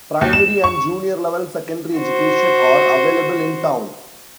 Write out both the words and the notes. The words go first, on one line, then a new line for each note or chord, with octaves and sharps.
Primary and junior level secondary education are available in town.
D#2
E7
C#6
F#4 C5